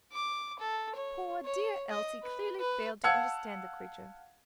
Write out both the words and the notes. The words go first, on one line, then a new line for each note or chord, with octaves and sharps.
Poor dear Elsie clearly failed to understand the creature.
D6
A4
C#5
C#5
D#5
B4
B4
F5 F#5 A5 E6 G#6 C#7